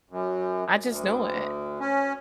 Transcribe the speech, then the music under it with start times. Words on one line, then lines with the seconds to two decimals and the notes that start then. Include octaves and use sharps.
I just know it.
0.10 F#2
0.88 D2
1.80 C#4